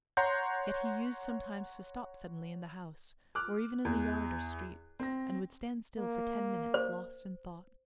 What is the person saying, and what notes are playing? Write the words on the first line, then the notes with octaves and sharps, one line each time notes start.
Yet he used sometimes to stop suddenly in the house, or even in the yard or street, and would stand still for ten minutes, lost in thought.
C#5 F#5 A#5 C6 G6
D6 F6 F#6
E2
C4 A#6
A#3
C5